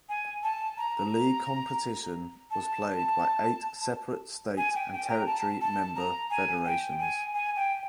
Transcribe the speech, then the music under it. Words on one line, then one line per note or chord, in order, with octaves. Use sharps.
The league competition was played by eight separate state and territory member federations.
G#5
A5
A#5
A5
G#5
G5
G5
A#5
A5
A5
A#5
G#5
G5
G#5
G#5
G5